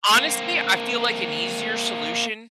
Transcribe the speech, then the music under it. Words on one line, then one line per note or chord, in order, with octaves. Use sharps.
Honestly, I feel, like, an easier solution
A#3 C4